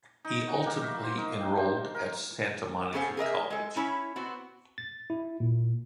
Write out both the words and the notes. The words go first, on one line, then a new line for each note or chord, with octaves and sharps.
He ultimately enrolled at Santa Monica College.
D#4
F#4
A#3
E5
C5
D#4
G5
C5
A#4
B3 C#4 G#4 A4 C5 F5
G#4 A#4 D#5 E5
G#3 A4
C#4 E4 C#5
B3 C4 F#4
A6
E4
A#2